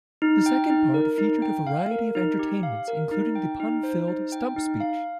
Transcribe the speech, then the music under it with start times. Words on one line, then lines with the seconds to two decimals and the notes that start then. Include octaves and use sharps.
The second part featured a variety of entertainments, including the pun-filled stump speech.
0.22 D#4
0.46 G5
0.70 D#4
0.94 A#4
1.18 D#4
1.42 G5
1.67 F5
1.91 A#4
2.15 D#4
2.39 G4
2.63 F5
2.88 A#4
3.11 D#4
3.35 G5
3.60 D#4
3.83 C5
4.08 D#4
4.32 G5
4.56 D#4
4.80 F5